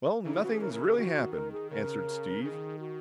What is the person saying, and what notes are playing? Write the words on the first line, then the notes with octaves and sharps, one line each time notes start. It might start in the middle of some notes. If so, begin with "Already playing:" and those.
"Well, nothing's really happened," answered Steve.
C#3 E3 D#4
E4
F#4
G#4
A#4
A#4
G#4
D#3 F#4
A#4
G#4
C#3 A#4
D#3 G#4
F#4